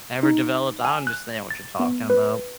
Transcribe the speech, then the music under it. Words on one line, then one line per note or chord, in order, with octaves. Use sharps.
ever developed, I understand what you're talking about.
D#4
G#5
F#6
A6
B3
B4